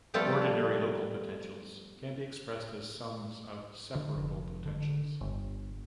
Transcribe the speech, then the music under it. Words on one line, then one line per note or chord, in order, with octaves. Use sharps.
Ordinary local potentials can be expressed as sums of separable potentials.
F3 G3 A3 B3 F4 A4
D3
F1
D3
G1